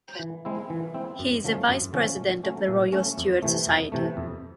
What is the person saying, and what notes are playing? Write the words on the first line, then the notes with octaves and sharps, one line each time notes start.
He is a Vice-President of the Royal Stuart Society.
E3
G#3 C4 E4
E3
G#3 C4 E4
F#2
D3 F3 A3 C#4
F#2
D3 F3 A3 C#4
A#2
F#3 A3 C#4
A#2
F#3 A3 C#4
F2
C3 E3 A3
F2
C3 E3 A3
F2